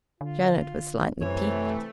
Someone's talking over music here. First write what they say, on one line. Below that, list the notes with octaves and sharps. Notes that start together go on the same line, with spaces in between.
Janet was slightly piqued.
D3 F4
F#2 C3 E3 A3 C#5